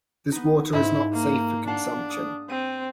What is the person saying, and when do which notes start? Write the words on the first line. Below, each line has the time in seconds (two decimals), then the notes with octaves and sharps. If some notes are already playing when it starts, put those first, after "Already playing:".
This water is not safe for consumption.
0.32 B3 D#4
0.73 G#2 E4
1.13 A#3
1.67 D4 F5 F#5 A5
2.10 D#6
2.50 C4 D#7